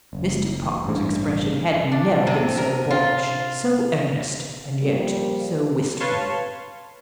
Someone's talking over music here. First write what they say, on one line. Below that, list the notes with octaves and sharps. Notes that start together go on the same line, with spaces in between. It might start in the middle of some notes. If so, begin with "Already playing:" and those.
Mr. Parker's expression had never been so boyish, so earnest, and yet so wistful.
F#1
A1 G2
D4
C3
A#4
F4
F5
F3 G3 A#3
B4 C#5 F5 A5 C6 C#6